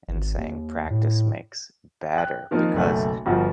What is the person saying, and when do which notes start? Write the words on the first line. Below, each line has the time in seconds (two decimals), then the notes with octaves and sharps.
and saying practice makes better because
0.08 G#1
0.38 D#2
0.90 A2
2.14 G5 F#6
2.51 D#3 F3 A#3 C4 D#4
2.73 F#1 B1 A3 F#5
3.26 G1 G2 F3 F4 F#4 F#5